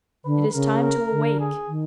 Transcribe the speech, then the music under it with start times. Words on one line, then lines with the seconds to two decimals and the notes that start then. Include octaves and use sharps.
It is time to awake.
0.25 D3 B4
0.53 C#3 A#4
0.82 A#4
1.10 D3
1.40 G#4
1.68 D#3